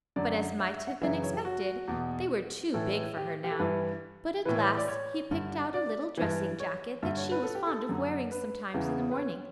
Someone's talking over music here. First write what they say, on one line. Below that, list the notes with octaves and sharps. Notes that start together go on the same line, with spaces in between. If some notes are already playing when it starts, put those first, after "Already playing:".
But as might have been expected, they were too big for her now, but at last he picked out a little dressing-jacket that she was fond of wearing sometimes in the mornings.
F#2 D3 D5
E5
E5
F#5
F#2 C#3 E3 E5
C#5
G4
F#4
E2 B2
A2 E3 A4
G4
G4
A4
G2 E3 B4
A2 E3 B4
C#5
D5
C#5
G2 D3
D5
G2 E3
C#5
G2 D3 E5
C#5
B4
A4
G4
A4
F#2 D3
B4
E2 C#3 E3
B4
C#5